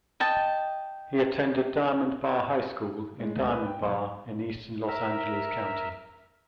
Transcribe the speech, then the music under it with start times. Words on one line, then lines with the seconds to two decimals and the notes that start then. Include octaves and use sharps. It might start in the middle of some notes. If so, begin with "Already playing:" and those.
He attended Diamond Bar High School in Diamond Bar, in eastern Los Angeles County.
0.20 D#5 G5 A5
3.20 G#3
3.36 C#2
3.49 B4
3.66 G5
3.82 B1
4.89 A#4 E5